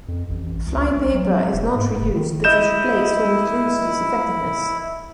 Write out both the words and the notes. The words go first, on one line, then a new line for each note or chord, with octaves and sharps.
Flypaper is not reused, but is replaced when it loses effectiveness.
F2
A1
C#2
A#1
F#3
E1
G#2
F#1
D#3
E4 D#5 G6 E7